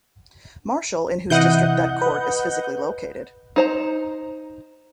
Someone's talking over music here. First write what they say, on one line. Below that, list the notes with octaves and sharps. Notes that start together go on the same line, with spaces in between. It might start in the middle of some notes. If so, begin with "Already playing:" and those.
Marshal in whose district that court is physically located.
C3 E3 E4 D#5 F#5 G6
B4
D#4 C5 A#5